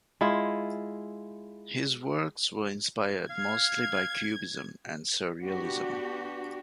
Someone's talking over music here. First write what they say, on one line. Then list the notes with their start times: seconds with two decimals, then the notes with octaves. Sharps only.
His works were inspired mostly by Cubism and Surrealism.
0.21 G#3 E4 F4
3.30 F5 G#6
5.42 B3 D4 F#4 G4